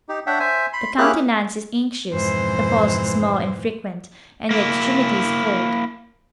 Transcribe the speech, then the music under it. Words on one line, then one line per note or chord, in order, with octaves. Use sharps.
The countenance is anxious, the pulse small and frequent, and the extremities cold.
D#4 G4
D4 C#5 E5 F#5 G5
C5 E5 G#5
B5 C6
A#3 C#4 E4 G4 G#4 F#6
F2 G#2 B2 E3 C5
A#3 E4